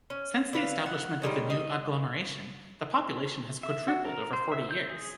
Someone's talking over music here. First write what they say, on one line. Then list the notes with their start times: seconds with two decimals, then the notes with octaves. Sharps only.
Since the establishment of the new agglomeration, the population has quadrupled over forty years.
0.10 C#4
0.53 D3 B4 F5
0.86 F#5
1.22 D#3 G3 G#3 C#4
1.50 D#5
3.63 E5
3.88 F#4
4.05 A#4
4.33 C5
4.52 E5
4.71 G6
4.90 G#4